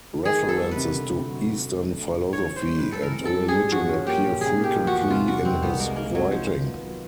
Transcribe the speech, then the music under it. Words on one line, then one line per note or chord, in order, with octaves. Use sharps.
References to Eastern philosophy and religion appear frequently in his writing.
D#3 G#4
B3
A4
G3
C3 B4
D3
D2
F#3
D2
F#3
D4
A3
A2
E3 C#5
C#4
C5
G#3
B4
G2
A4
E3 A#4
C4
A4
G3
G#4
G2
F3 F#4
C#4
A#3 G4
A#2
C#3 G#4
A#3
G4
F3
F#4
E2
C3 F4
G3 F#4
D#3 C4
C2 B3
G#3 A#3
A#3 D#4
F#3 C4
D#3 F3
D#3
B3
F#3